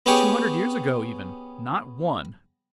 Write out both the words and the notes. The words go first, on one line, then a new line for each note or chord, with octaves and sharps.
Two hundred years ago even--not one!
B3 C#4 G4 G#4 C#5 G5